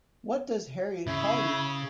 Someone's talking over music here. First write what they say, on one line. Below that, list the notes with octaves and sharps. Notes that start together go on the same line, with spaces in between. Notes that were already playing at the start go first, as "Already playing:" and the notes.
What does Harriet call you?
C#3 E4